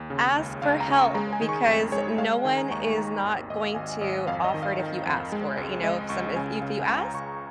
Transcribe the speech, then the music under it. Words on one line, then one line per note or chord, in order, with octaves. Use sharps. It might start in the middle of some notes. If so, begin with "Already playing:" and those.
Ask for help because no one is not going to offer it if you ask for it, you know, some if you ask,
Already playing: D#2
C#3
C#2
C#2 F5
A#5
C#3
C#6
G#3 A#5
G#5
D#3
C#6
F2
G#3 C#5
G#3 F5
F5
D#3 G#5
A#5
D#2 C#6
C#6
D#2 A#5
G#1
G#1 D#5
F5
G#1 G#5
G#1 D#5
F2 F5
D#5
D#3
F5
D#3
F2
G#3
C#2
G#3 D#5
C#2 C#6
C#3 G#5
C#3 F5
G#5
C#2 A#5
C#2 C#6